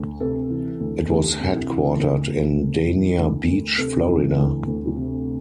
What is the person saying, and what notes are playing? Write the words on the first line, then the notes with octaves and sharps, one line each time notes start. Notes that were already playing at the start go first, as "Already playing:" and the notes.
It was headquartered in Dania Beach, Florida.
Already playing: D2
C3 A4
E3
D2
D2 G4
C3
E4
E3
A#4
D2 A#4
D2
C3
E3
D2
D2
C3 A4
E3
D2
D2
C3